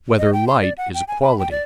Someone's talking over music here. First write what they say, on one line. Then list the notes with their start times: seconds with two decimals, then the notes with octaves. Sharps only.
Whether Light Is a Quality?
0.18 D#5
0.33 G5
0.48 C6
0.62 D5
0.78 F#5
0.94 G5
1.08 G#5
1.23 B5
1.39 G5
1.51 D5